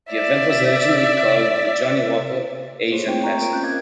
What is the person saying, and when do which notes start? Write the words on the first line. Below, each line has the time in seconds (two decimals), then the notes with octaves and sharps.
The event was originally called the Johnnie Walker Asian Classic.
0.11 D5 E5
2.92 A#3 F4 G#4 C5 C#5
3.07 A3 C4 G5
3.23 G5 A#5 C#6
3.39 F4 A#4 D7
3.52 C4 C#4 F#6 G6
3.63 A#4 D#5 F5 D6 G#6